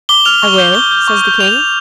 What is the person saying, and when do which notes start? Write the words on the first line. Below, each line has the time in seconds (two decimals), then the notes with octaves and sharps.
"I will," says the king.
0.09 D6 G7
0.25 F6 F7
0.42 C#6
0.58 G6
0.75 C#6 G7
0.91 G6
1.08 C#6
1.24 G6
1.40 C#6 F7
1.57 G6